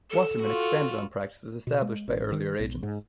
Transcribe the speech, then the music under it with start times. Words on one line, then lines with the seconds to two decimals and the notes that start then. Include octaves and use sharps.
Wasserman expanded on practices established by earlier agents.
0.11 A4 E7
0.42 F4 F#4
1.67 B2
1.82 G#3
2.08 A1
2.32 D#3
2.60 B1
2.83 G#2